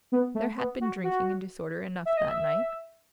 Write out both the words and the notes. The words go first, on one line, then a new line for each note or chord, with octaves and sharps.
There had been drinking and disorder enough, that night....
B3
A3
B3
F#4
F#4
E5
D#5
E5